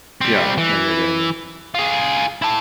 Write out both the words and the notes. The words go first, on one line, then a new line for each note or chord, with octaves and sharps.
Yeah. Yeah, yeah, yeah, yeah.
G3 C4
E3
F4 G#4
E4 A5